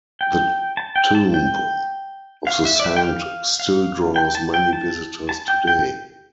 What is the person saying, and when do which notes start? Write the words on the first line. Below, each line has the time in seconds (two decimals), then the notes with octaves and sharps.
The tomb of the saint still draws many visitors today.
0.21 G5
0.77 A5
0.96 G5
1.15 A5
1.34 G5
2.47 F5
2.65 E5
2.79 D5
2.84 E5
2.97 G5
3.03 F5
3.59 F5
4.16 G5
4.35 A5
4.54 G5
4.73 A5
5.29 A5
5.48 G5
5.67 G5